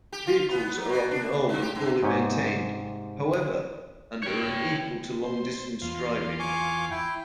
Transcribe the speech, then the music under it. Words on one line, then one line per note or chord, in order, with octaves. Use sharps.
Vehicles are often old and poorly maintained, however, and are unequal to long-distance driving.
G4
F4
B3
F#3
B2
D4
C3
G4
G2
G#2 C3 G4 C#5 G5 G#5
C#5 G5
C5
E2 F4 C6
G#5 C#6 D6
E4 G5